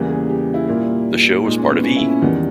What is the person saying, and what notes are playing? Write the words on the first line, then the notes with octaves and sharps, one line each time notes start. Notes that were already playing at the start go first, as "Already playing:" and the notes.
The show was part of E!
Already playing: E2 C#3 E3 G3 A#3
G#4
G4
E4
A#2 G3 A#3
A#2 G#3 D#4
C#4
B3
C#4
E4
C#4
E2 D#3 G3 B3